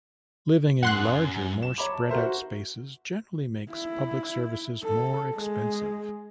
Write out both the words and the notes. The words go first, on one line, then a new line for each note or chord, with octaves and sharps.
Living in larger, more spread out spaces generally makes public services more expensive.
F#2 F#5 C6 F#6
E7
C#5 A#5 B5 D6
A5
F#4 A#4 C5 E5
F#4
E4
A4
G#3